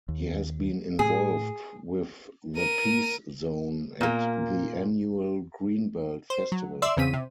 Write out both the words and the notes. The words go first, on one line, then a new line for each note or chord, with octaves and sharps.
He has been involved with the "Peace Zone" at the annual Greenbelt Festival.
D#2
A2 G#4
A#4 D#7
A#2 A#3
C5
F#3
D5 E5 C6 E6
E2 C#3 C4 B6 D#7
C3